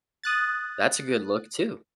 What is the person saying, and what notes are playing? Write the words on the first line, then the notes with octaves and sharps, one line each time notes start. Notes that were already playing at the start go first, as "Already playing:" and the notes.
that's a good look too.
D#6 F#6 A6